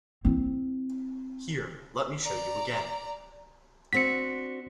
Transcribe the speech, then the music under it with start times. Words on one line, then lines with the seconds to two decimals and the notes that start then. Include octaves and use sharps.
Here, let me show you again.
0.25 C4 E4
2.22 D5 A#5
3.93 C4 D4 F#4 B6 C#7